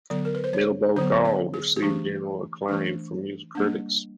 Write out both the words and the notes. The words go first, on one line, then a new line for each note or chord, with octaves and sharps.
"Mellow Gold" received general acclaim from music critics.
D3 F#3 B3 D5
A#4
B4
C5
C#5
D3 F#3 B3 C5
C#5
G#4
G#4
E3 A3 D4 G4
E3 A3 D4
G3 A#3 D4